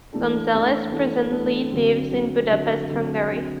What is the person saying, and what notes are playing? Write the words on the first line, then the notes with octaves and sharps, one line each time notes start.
Gonzalez presently lives in Budapest, Hungary.
E3 A3 D4 A4
E3 A3 D4 A4
E3 A3 D4 A4
E3 A3 D4 A4
D3 F#3 C4
D3 F#3 C4
D3 F#3 C4
D3 F#3 C4
D3 F#3 C4